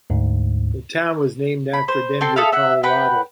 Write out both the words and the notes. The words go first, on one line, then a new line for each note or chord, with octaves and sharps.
The town was named after Denver, Colorado.
D2 G#2
B5
C5
C4 A4 G5 C6
G#4 A4 E5 F5
E5 F#5
B4 F#5 G5 B5